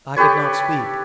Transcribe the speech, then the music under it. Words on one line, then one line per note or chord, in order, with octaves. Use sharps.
I could not speak.
G4 A4 B4 C#5